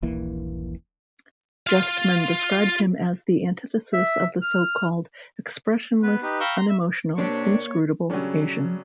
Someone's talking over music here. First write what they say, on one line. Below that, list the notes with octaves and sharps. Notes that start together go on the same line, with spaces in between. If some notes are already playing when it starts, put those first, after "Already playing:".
Justman described him as the antithesis of the so-called expressionless-unemotional-inscrutable Asian.
D#1 A#1 E3 A#3
F4 F5
E5
F6
B3 B4
D#4 G4 B4
F5 G5 A#5 B5 C#6 E6
A#5 C6
E5
C3 A#3 D4 C#5
C#3 F#3 G3 A3 C#4 D4